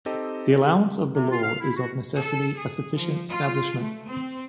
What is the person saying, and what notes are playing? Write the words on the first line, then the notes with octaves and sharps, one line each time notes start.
The allowance of the law is of necessity a sufficient establishment.
C4 D#4 G4 A4 D#5
C3
F4
F5
E4
F#4
A4
G#4
F3
F4
A3
C4